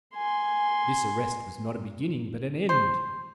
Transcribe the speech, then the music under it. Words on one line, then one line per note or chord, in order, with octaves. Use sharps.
This arrest was not a beginning, but an end.
G#5 C6
C5